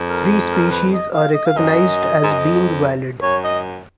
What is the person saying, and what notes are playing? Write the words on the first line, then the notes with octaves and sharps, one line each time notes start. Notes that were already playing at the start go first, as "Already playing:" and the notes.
Three species are recognized as being valid.
Already playing: F2
A#4
A#4
B4
D#5
F5
D#5
F5
F#2 D#5
G#2
F#2
F2
F#2 C#5
D#5